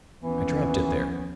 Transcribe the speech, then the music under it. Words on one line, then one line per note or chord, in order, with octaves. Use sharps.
"I dropped it there."
D#2 E3 F3 B3 C#4